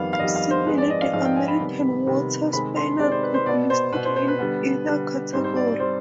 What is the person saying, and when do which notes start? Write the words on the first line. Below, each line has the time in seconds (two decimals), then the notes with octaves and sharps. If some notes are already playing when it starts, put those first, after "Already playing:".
Similarly, the American Water Spaniel could be listed in either category.
Already playing: F2 D#3 G3 B3 F5
0.13 F5
0.19 F2 D#3 G3 B3 D#5
0.36 F5
0.51 C5
0.66 G#2 F3 G#3 C4 B4
0.78 D5
0.90 D#5
1.02 F5
1.13 G#2 F3 G#3 C4 F5
1.25 G5
1.36 G#5
1.48 B5
1.60 C3 D#3 G3 B3
2.06 C3 D#3 G3 B3
2.53 C3 D#3 G#3 C4 B5
2.77 C6
2.99 C3 D#3 G#3 C4 D5
3.12 C5
3.23 B4
3.34 C5
3.46 B2 B3 D5
3.70 C5
3.92 B2 B4
3.96 B3
4.05 C5
4.16 C5
4.28 B4
4.39 D3 G3 B3
4.86 D3 G3 B3
5.33 G#2 G3 C4 C5
5.44 C5
5.56 D5
5.67 D5
5.80 G3 C4 C5